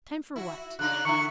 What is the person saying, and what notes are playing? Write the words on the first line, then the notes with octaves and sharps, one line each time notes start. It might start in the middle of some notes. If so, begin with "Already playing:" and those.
"Time for what?"
E4 F#4
C#3 D4 D#4 F#6
D3 E4 C#6